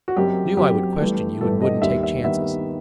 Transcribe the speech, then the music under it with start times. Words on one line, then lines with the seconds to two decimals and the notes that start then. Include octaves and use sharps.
Knew I would question you and wouldn't take chances.
0.08 F#4
0.16 F#1 F#2 F#3 C4 G4
0.57 F#1 F#2 F#3 C4 G4
0.99 G1 G2 E3 A3
1.40 G1 G2 E3 A3 A4
1.62 D#5
1.82 D#2 D#3 G3 B3 E5
2.03 E5
2.24 D#2 D#3 G3 B3 E5